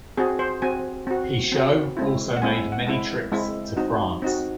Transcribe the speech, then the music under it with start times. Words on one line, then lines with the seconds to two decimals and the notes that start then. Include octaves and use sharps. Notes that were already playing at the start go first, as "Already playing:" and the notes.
Pichot also made many trips to France.
0.17 C4 F#4 G#4
0.39 C5
0.62 C4 F#4 G#5
1.07 C4 F#4
1.52 C4 F#4
1.97 G#3 C4 E4
2.36 F#5
2.42 G#3 C4 E4 G#5
2.57 G#5
2.72 F#5
2.87 G#3 C4 E4 F#5
3.32 G#3 C4 E4
3.77 C4 D#4 F#4
4.22 C4 D#4 F#4